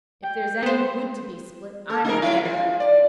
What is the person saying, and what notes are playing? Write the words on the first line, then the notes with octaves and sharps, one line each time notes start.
"If there's any wood to be split, I'm there!"
G5
B3 C5
A4
D#4 G#4 A#4
E4
G#3 F4
D5